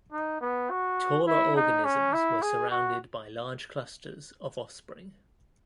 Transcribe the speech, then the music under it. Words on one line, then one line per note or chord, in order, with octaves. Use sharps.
Taller organisms were surrounded by large clusters of offspring.
D#4
B3
F#4
E4
D#4
C#4
E4
G#4
F#4